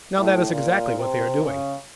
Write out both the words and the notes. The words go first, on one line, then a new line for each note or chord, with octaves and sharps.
Now that is exactly what they are doing.
A2
A#2
C3
C#3